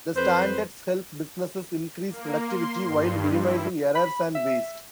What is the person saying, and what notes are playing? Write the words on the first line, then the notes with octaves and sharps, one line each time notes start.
The standards help businesses increase productivity while minimizing errors and waste.
F2 B4 C5
A#3
C6
G2
E4
B5
E5